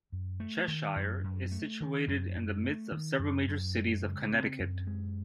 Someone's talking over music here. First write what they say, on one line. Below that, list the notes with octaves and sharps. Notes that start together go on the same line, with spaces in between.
Cheshire is situated in the midst of several major cities of Connecticut.
F#2
A3
D#3
F#2
F#2
A3
D#3
F#2
F#2
A3
D#3
F#2
F#2
G#3
C#3
C4
F#2
G#3